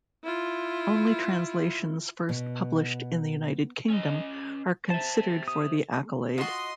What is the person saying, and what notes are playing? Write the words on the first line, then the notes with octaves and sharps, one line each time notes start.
Only translations first published in the United Kingdom are considered for the accolade.
E4 F4
B2
C#4 D#5
C5 E5 A5
D#6
F4 F#4 D#5 C6